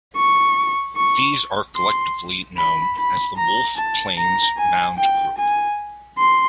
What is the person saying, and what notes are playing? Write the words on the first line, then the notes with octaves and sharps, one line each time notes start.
These are collectively known as the Wolf Plains Mound Group.
C#6
C#6
C6
B5
B5
A#5
A5
A#5
G#5
G5
G#5
C6